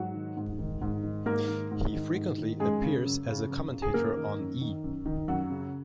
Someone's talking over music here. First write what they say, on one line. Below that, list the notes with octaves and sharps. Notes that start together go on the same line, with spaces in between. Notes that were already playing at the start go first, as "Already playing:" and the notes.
He frequently appears as a commentator on E!
Already playing: G#2 F#3 F#4
D#3
G#2
D#3
G#2
D#3
G#2 A#3 A#4
D#3
G#2
D#3
G#2
D#3
F#2 G#3 G#4
C#3
F#2
C#3
F#2
C#3
G#4
F#2 A#3 A#4
D#3
F#2
D#3
F#2
D#3
F#2 F#3 F#4
C#3